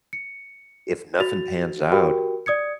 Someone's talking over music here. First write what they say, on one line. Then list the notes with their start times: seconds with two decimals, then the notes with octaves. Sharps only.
if nothing pans out,
0.13 C#7
1.20 F#4 A6 F7
1.92 F#4 G4 A#4 G5
2.46 D5 D#6 G#6 C#7